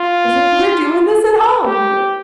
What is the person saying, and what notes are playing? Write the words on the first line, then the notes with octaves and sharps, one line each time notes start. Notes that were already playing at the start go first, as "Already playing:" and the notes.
he was like "We're doing this at home."
Already playing: F4
G4